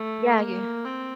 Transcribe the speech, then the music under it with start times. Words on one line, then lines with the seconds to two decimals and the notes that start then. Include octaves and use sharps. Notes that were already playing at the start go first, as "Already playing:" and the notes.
Yeah, you
Already playing: A3
0.37 A#3
0.84 C4